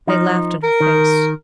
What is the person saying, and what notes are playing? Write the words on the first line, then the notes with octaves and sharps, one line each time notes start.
They laughed in her face.
F3 D#4
A#4
D#3